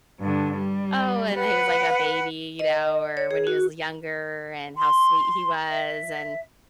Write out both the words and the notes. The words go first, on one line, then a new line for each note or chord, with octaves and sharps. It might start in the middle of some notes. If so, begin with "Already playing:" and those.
oh, and when he was, like, a baby, you know, or when he was younger and how sweet he was, and
G2 D3
G3
B4 F#5
D#5
C#5
G#4
F#4
C6
E5